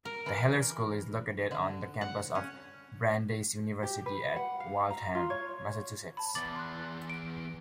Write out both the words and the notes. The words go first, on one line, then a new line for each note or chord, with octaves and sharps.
The Heller School is located on the campus of Brandeis University at Waltham, Massachusetts.
A#4
E3
D3
F#5
C#4
G4
B4
F#5
F5
A#5
F4
C#5
A5 B5
E2 E3 D6 A6 F#7
C6 F#6
D7